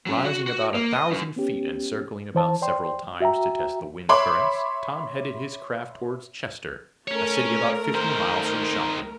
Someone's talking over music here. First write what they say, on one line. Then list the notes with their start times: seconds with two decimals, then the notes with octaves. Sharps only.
Rising about a thousand feet, and circling about several times to test the wind currents, Tom headed his craft toward Chester, a city about fifty miles from Shopton.
0.06 F#3 C#4
0.25 F#4
0.47 F#4
0.75 A#3
0.93 D#5
1.11 F#2
1.36 B3 C#4 G4
2.35 E3 C5 A5
2.62 C5 D5 G5 C6
3.20 F#4 E5 G5 A#5
4.09 C#5 E5 B5 C6 D6
7.08 A3 C#4 A#4 C#5
7.94 D#3 C5